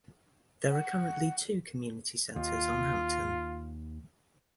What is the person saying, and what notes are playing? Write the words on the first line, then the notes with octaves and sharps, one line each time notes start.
There are currently two community centres on Hampton.
F#5
D#2 F4